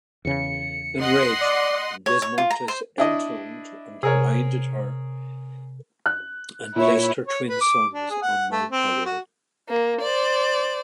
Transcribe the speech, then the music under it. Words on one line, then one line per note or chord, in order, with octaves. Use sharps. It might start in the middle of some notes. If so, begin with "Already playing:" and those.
Enraged, Desmontes entombed and blinded her and placed her twin sons on Mount Pelion.
E2 C#3 C#7
D#5 F#5 C6
D5
C#5
C#5
F4
A#5
C5
D4 E4 D#5
C3 G#4 A#4 C#5
F#6
A#2 E4 C#5
C#5
B4
D6
D4
G#4
F#5
A3
C4
F#4
A#3
C5 D5